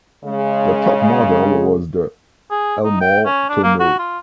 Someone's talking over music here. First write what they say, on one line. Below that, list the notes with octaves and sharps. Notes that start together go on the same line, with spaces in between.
The top model was the "Elmore Tonneau".
C#3 G#3
G#4
D#4
G5
C#4
D4
A#3
F#4
F4